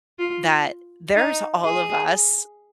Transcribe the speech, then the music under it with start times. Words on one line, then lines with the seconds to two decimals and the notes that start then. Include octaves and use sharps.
that there's all of us
0.19 F4
1.16 D#4
1.64 G#4